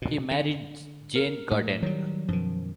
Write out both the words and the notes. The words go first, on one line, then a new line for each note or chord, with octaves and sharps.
He married Jane Godden.
B2
D3
A#4
A2
D#3 F#3 G3
F#2 B2 D#3 F3